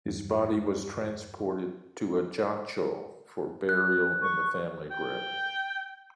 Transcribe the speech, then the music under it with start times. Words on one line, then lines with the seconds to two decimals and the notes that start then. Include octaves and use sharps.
His body was transported to Ajaccio for burial in the family grave.
0.06 E2 G2
3.69 F#6
4.22 C#6
4.91 G5